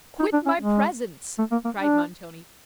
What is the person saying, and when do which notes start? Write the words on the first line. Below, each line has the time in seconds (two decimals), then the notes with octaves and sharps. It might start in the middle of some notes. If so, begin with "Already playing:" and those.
'Quit my presence!' cried Montoni.
0.20 D#4
0.33 D4
0.46 C#4
0.60 G#3
1.39 A3
1.52 A#3
1.65 A#3
1.78 D4